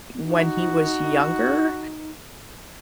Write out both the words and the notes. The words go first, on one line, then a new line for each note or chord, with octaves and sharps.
when he was younger,
D#4 F#4